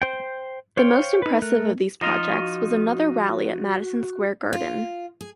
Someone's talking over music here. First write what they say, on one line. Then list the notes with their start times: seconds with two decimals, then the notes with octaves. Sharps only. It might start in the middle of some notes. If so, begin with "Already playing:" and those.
The most impressive of these projects was another rally at Madison Square Garden.
0.02 C5 G5
0.77 C5 C#5 F5 G5 C6
1.22 D#4 B4
1.42 A3 A#4 F#6
2.01 F3 D#4 F4
2.33 F#4
4.53 F4
5.21 G#4